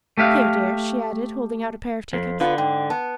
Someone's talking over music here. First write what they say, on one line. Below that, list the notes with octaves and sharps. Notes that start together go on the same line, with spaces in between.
"Here, dear," she added, holding out a pair of teacups.
A3 G4 E5 F5
F2
D3 B3 F4 B4
G#2 G5
B3 A5